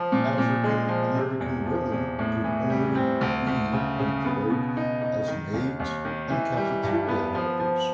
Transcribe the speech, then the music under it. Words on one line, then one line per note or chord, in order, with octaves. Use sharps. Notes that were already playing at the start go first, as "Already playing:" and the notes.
African-American women could only be employed as maids and cafeteria helpers.
Already playing: F3
A#2
A#2
G#3
F3
C3
E2
F3
E2
A2
E3
G3
C4
D2
D2
C#3
C#3
B3
B2
D#4
D#4
D#3
D#2
D#2
D#3
E3
G3
G2
B3
F3
F3